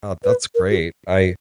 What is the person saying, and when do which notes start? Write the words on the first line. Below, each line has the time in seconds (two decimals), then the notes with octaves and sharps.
Oh, that's great. I
0.24 B4
0.55 A#4
0.70 F#4